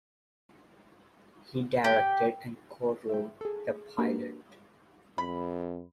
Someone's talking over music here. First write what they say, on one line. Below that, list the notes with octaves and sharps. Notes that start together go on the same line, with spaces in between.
He directed and co-wrote the pilot.
G4
E5 G5
G#4 A4
A#3 D4 F#4 G4 A#4 B4
F2 B5